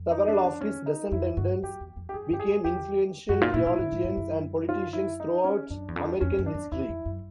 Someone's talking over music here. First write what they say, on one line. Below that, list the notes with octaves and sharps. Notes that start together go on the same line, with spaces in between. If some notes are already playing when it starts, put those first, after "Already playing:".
Several of his descendants became influential theologians and politicians throughout American history.
Already playing: F2
D#4
D4
D4
C#4
D#4
F2 E4
G2 F#4
F#2 G4
E2
F2
G4
F#2 G#4
G2 G4
G#4
F#2
E2 G4
F#2 F#4
A#2 F4
A#2 E4
A2 E4
G#2
G#2
G2
F#2
F4
E4
D#4
C#4
F#2 D4
E2
F2 D4
F2 C#4
F#2
D4
F2
E2 E4
F2
F#2